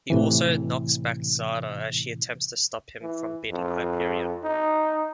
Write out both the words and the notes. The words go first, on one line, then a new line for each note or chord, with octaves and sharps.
He also knocks back Zarda as she attempts to stop him from beating Hyperion.
A2 C3 E3
E3
F2
D#4